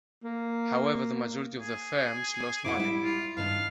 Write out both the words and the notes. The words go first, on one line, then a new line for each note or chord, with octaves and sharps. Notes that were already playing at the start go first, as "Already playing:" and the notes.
However, the majority of their films lost money.
A#3
G#4
F2 E4 F#5 D6
G3 E4
F4
G2 D#3 D4 F5